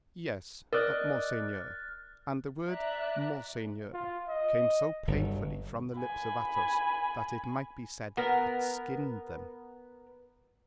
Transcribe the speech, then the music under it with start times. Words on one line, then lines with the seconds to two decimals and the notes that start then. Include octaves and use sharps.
"Yes, monseigneur." And the word "monseigneur" came so painfully from the lips of Athos that it might be said it skinned them.
0.73 A#4 D5 D#5 F6 F#6 A6
2.70 D5 E5 A#5 F#6
3.93 F4
4.29 D#5
5.07 G1 F#3
5.97 G#5 B5
8.17 B3 A#4